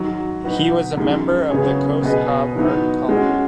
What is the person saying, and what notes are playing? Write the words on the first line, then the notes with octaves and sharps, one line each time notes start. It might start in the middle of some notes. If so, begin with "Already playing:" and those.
He was a member of the Cos Cob Art Colony.
Already playing: G#2 D#3 F#3
B2 F#3 D#4 F#4 B4
F#2 D#3 G#3
F#2 C#3 B3 G#4 C#5
B2 B3 G#4 B4 D#5
G#2 D#3 F#3 B3 D#4
G#3 C#4 F#4